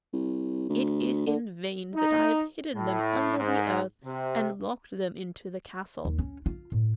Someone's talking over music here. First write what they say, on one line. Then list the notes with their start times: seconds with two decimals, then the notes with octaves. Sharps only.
It is in vain that I have hidden them under the earth and locked them into the castle.
0.13 C2
0.69 D2
1.27 D3
1.96 D#4
2.75 A2
3.38 G#2
4.05 C3
6.05 D#2
6.19 C#4
6.46 F4
6.72 A2